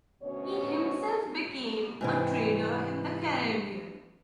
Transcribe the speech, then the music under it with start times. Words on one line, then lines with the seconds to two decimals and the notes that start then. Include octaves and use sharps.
He himself became a trader in the Caribbean.
0.22 D2 B2 C#4 C#5
2.01 G#2 C3 E3